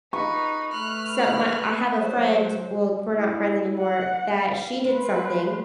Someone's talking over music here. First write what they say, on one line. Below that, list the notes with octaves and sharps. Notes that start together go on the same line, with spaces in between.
some my I have a friend, well, we're not friends anymore, that she did something.
D#4 B4 C#6
A3 F6 F#6
F#3 C5
E4
F#5
F5
B4 C5